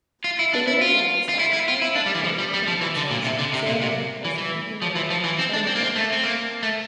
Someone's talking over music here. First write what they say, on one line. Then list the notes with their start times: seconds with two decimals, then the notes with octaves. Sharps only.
The rumour was that because of political differences Surland was manipulated in shutting down.
0.24 F4
0.39 E4
0.53 D4
0.67 E4
0.81 F4
1.29 F4
1.39 E4
1.53 E4
1.68 F4
1.82 E4
1.95 D4
2.06 G3
2.15 E3
2.24 F3
2.38 G3
2.53 G3
2.67 F3
2.81 E3
2.96 D3
3.11 A#2
3.24 C3
3.39 D3
3.54 C3
3.67 A#2
3.82 C3
4.25 E3
4.38 E3
4.82 F3
4.96 E3
5.10 F3
5.24 E3
5.39 C4
5.53 D4
5.67 C4
5.75 A#3
5.82 C4
5.96 A3
6.12 C4
6.24 A#3
6.63 A3